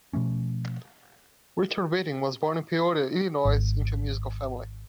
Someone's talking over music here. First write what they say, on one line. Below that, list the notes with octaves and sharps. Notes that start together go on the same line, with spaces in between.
Richard Whiting was born in Peoria, Illinois, into a musical family.
B2 F3 A3 C#4
G#1